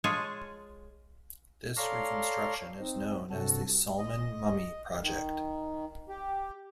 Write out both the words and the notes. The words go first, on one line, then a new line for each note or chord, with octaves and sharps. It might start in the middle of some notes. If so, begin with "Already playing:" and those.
This reconstruction is known as the Sulman Mummy project.
G#3 F4 G#4 C#5 G#5 A5
A4 C#5 D5 F5 A#5 C6
C4 D#4
G2 C3 F#4 A4
D#5
D#3
G4